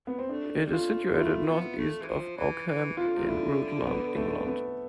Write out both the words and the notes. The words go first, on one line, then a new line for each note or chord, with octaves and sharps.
It is situated north east of Oakham, in Rutland, England.
B3
C4
A3 D4
G3
A3 F4
F3
G3
F4
A3 E4
B3
A3
E3
F3
E3
E3
E3 F4
D3
C3
D3 E4
B3
A3
B3